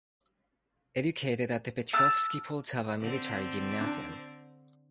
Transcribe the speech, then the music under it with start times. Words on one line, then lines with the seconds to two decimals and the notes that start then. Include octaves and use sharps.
Educated at the Petrovsky Poltava military gymnasium.
1.93 A5 E6 F6
2.99 D3 C4
3.81 D4